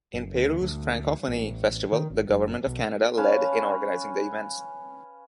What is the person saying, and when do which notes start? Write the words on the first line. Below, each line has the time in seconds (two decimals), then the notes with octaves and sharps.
In Peru's Francophonie festival, the Government of Canada led in organizing the events.
0.13 F#1
0.35 D2
0.61 D2
1.28 A1
1.92 D#3
2.10 G#1
2.30 F#1
2.67 B1
3.17 C#4 B4 F5 A5